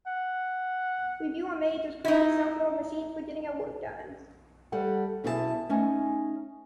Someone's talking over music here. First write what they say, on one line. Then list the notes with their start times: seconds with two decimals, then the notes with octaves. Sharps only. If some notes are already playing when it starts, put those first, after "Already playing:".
We view our maids as cranky self-willed machines for getting our work done.
0.07 F#5
2.05 D#4 E4
4.72 G3 A4 F#5
5.24 F#2 B2 E4 G#4 A4 A5
5.69 A3 C#4 D#4 G#5